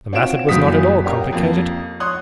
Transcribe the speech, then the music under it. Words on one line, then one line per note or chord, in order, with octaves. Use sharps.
The method was not at all complicated.
C4 F4 F#4 C#5 D7 E7
F#1 E3 F#3 B3 D#6 B6
C#4 G4 A#4 F5
F2 A#3
C#5 C6 D#6 F#6